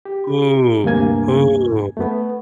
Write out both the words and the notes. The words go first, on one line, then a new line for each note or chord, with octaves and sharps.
Ooh. Ooh.
G4
D2 G2 C3 A#3 G#5 G#6
A3 B3